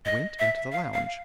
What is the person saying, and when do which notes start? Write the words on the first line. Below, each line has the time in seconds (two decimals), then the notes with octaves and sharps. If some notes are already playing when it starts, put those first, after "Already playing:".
I went into the lounge.
0.05 D#5
0.39 E5
0.72 F5
0.94 F5